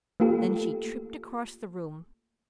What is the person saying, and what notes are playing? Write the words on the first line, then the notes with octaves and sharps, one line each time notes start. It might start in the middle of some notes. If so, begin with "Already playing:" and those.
Then she tripped across the room.
A3 A#3 F4 G4 A4